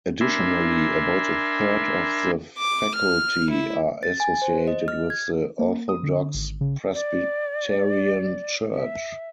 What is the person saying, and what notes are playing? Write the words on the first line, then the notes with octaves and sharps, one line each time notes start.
Additionally, about a third of the faculty are associated with the Orthodox Presbyterian Church.
D4 A#4 E5 G#5 B5 C6
D6
F6
E4
A6
G#5
C5
D#5
F6
G#6
A#3
D#6
D3
G#1
C#3
D5
E5